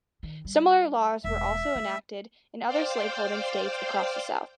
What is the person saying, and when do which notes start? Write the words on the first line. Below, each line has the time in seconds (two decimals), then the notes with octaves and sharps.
Similar laws were also enacted in other slave-holding states across the South.
0.23 D#3
0.45 G3
1.24 E1 E5
1.76 A3
2.66 C5 D5 F5 G5